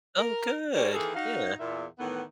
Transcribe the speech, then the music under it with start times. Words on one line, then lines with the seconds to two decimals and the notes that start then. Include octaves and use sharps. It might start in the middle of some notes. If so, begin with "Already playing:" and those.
Oh, good. Yeah.
0.18 A#4
0.75 G3 G#3 G4 A#4 C#5 D5
0.93 D#3 E3 A#3 G#4 A4
1.15 D#4 F#4 F5
1.60 E2 A#2 E5
1.99 A2 D#3 E3 B3